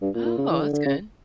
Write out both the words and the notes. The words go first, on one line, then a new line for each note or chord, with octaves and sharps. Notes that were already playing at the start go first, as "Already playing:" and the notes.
Oh, that's good.
G2
A#2
A#2
C#3
E3
D3
D3
C#3